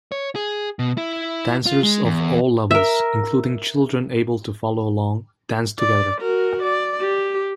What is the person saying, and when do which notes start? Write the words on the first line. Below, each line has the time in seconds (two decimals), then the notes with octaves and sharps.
Dancers of all levels; including children able to follow along, dance together.
0.12 C#5
0.35 G#4
0.79 B2
0.98 E4
1.67 F4
1.83 G#3
2.05 E2
2.71 A#4 E5
5.79 D5
6.21 F#4 A#4
6.63 D5
7.01 G4